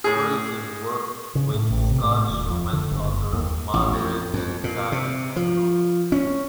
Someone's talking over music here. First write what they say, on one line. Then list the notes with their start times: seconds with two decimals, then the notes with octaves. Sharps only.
Ferguson worked with Scottish romance author Marguerite Kaye on the novel.
0.04 A2 G#4
1.35 C#3
1.54 A2
1.71 A1
1.91 C3
2.04 A2
2.29 D#1
2.50 F2
2.73 D3
2.91 F#1
3.33 D#2
3.73 A1
3.93 F2
4.34 F2
4.64 A#2
4.92 C3
5.36 F3
6.12 C#4